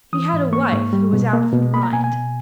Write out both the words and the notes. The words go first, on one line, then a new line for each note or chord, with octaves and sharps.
He had a wife who was out of her mind.
E3 D#6
G#2
A#3 C#6
G#2
G3
B2
A#3
B2
A#3 B5
A#5
B2 G#5
G#5
B2